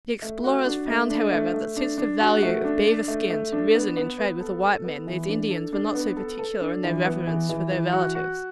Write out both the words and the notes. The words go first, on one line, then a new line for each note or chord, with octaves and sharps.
The explorers found, however, that since the value of beaver skins had risen in trade with the white men, these Indians were not so particular in their reverence for their relatives.
A3
F#4
D4
A3
D4
A3
A3
D4
D4
F#4
A3
D4
D4
A3
A3
D4
B3
B3
B3
A4
A4
B3
E3
D4
A4
D4
B3
A4
A4
D4
E3
B3
E3
E3
E3
F#4
F#4